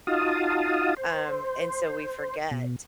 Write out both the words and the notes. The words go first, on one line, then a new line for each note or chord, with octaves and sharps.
um, and so we forget.
D#4 F4 F#4 F5 A5 D#6
C5
B2